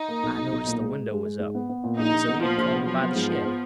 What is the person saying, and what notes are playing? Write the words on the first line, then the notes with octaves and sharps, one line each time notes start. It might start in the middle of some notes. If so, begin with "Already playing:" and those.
I noticed the window was up; so he had clumb in by the shed.
Already playing: D#4
A#3
B1
B1
B1
A#2
G#3
G#3
G#3
G#3
G#2
B3
B3
A#2
A#1 D#4
A#1
B3
A#2 F3
A#1
B3
F3 F#3
B3
G#2
B3
B3